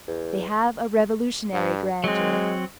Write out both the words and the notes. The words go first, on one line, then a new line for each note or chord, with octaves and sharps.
They have a revolutionary grandeur.
E2
G2
F#3 G#3 C4